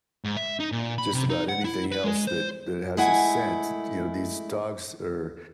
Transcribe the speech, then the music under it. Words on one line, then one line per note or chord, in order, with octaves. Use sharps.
just about anything else that that has a scent, you know, these dogs are
G#2
E5
D#4
A#2
B5
C3
D#4
F#5
E4
B4
G#3
C5
G#3 A3 E4 F#5 G#5